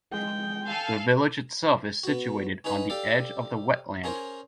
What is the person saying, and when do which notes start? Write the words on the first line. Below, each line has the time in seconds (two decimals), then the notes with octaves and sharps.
The village itself is situated on the edge of the wetland.
0.13 G#3 G5
0.66 A4 F5 G#5
2.03 B3 F#4
2.64 C#4 D#4 G#4 B4 F#5
2.90 G4 A4 D5 F5
4.04 C#4 G#4 A#4 C5